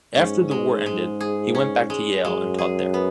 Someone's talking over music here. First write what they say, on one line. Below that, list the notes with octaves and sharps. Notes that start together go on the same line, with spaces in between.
After the war ended, he went back to Yale and taught there.
G#2 C#4
G#3
G#3
G#4
C#4
G#3
F#2 G#3
G#4
B3